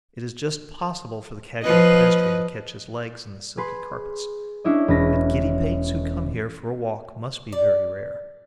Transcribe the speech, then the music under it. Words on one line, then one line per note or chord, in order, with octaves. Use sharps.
It is just possible for the casual pedestrian to catch his legs in the silky carpets; but giddy-pates who come here for a walk must be very rare.
F3 B4 D#5
G#4 B4 C6
C#4 D4 E4 C#5 D#5
E1 C#4 B4 A#6
D5